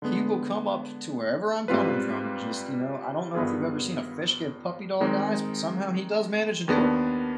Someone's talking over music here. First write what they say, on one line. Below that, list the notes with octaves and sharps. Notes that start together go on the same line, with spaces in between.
he will come up to wherever I'm coming from and just, you know, I don't know if you've ever seen a fish give puppy dog eyes, but somehow he does manage to do it,
D3 G#3 B3
G#2 G3 C4 F4 B4
G2 D#3 B3 F4 G#4
D#3 G#3 C4 D#4
D#2 D#3 B3 D4